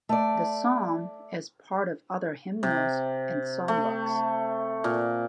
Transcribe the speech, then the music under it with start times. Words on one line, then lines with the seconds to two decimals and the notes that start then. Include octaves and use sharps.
The song is part of other hymnals and songbooks.
0.09 A3 D5
2.63 C3
3.68 A3
4.84 A#2